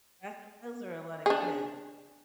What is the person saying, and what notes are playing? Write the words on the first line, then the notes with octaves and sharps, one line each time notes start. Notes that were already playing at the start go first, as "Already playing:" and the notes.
That's those are a lotta kids.
D4 G#4